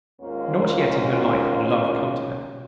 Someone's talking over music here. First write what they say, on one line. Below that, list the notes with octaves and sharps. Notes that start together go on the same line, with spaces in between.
Not yet in her life had love come to her.
D#2 G#2 A#3 C#4 F4